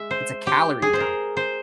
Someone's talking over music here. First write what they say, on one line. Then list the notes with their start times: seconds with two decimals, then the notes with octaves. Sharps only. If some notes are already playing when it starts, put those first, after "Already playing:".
it's a calorie dump.
Already playing: G#3 E5
0.11 C5
0.47 G4
0.82 G#4
0.93 C5
1.00 A#4
1.37 C5